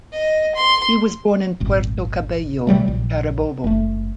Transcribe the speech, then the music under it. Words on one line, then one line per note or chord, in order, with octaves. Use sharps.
He was born in Puerto Cabello, Carabobo.
D#5
C6
D#1 G#1
C3 F#3 G3 A3
A#1
F#1 A3